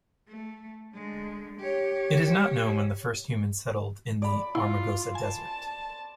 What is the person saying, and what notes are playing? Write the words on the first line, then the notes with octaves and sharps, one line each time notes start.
It is not known when the first humans settled in the Amargosa Desert.
A3
D3 G#3
G4 C#5
D5 B5
E4 F4 C6
G#5 A5